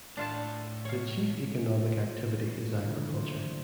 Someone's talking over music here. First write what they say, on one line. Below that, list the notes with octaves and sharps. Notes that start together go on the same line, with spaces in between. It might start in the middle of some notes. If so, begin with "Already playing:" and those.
The chief economic activity is agriculture.
A2 D4 F4 A5
C#5 F5
A#3 F4
A#3 B4 C#5
C3 D#3 A#3 D4 E4 A#4
D3 E3 A3 F4
F#3 D4 F4 C5
D5